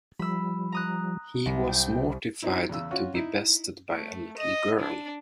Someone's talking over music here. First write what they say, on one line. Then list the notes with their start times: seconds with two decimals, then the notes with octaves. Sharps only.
He was mortified to be bested by a little girl.
0.19 F3 G3 B5 E6
0.72 A#5 D#6 F#6
1.46 C2
1.69 G5
2.42 F#3 C4 D#4 E4
2.69 E2 C#3 E6
2.91 C#4 F4 F#4
3.14 D#4 E4
3.90 A3
4.37 D#5
4.80 D4